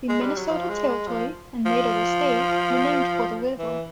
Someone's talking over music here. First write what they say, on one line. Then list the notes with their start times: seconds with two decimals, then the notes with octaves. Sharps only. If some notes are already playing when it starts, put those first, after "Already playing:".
The Minnesota Territory, and later the state, were named for the river.
0.09 G#3
0.22 G3
0.36 F#3
0.49 F3
0.69 G#3
0.88 G#3
1.08 F3
1.65 F3
3.58 E3